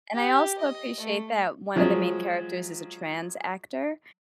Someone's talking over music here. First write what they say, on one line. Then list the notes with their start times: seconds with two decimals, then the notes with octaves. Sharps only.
And, I also appreciate that one of the main characters is a trans actor,
0.13 G4
0.58 D#5
1.00 A3
1.76 F3 F#3 G#3